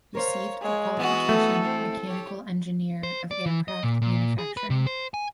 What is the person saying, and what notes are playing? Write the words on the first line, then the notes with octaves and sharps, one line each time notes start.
Received the qualification "Mechanical Engineer of Aircraft Manufacturing".
A#4 C5 C#5 F5
G#3 C#5
E3 B3 F#4
A3 A4
C4
G4 C#5
C5
D5
E3
D#5
A#2
A#2
G#4
B4
C3
C5
G#5